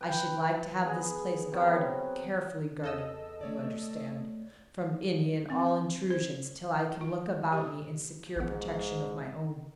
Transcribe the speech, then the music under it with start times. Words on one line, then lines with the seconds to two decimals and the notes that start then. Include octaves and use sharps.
I should like to have this place guarded--carefully guarded, you understand--from any and all intrusion till I can look about me and secure protection of my own.
0.01 B4 G5
0.51 A5
0.83 B3 G#4
1.52 C3 F#3 B3
2.84 E2 A4 D#5 E6
3.41 A3 C#5 D5
5.50 C4
6.10 C5
7.01 F4
7.52 G4
8.36 A#1 G#2 B3